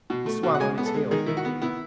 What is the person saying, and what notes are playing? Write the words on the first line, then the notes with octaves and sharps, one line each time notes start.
He swung on his heel.
B2
A3
B2
F#5
G#3 G#5
B3
A4
G#3
D#3 G#4
D#3 E4
F#4
B3
B3 E4